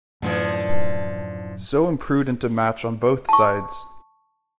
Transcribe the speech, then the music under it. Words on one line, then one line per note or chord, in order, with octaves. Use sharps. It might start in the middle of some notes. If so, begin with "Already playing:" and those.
So imprudent a match on both sides!
F#2 A2 D3 E3 F3
A5 C#6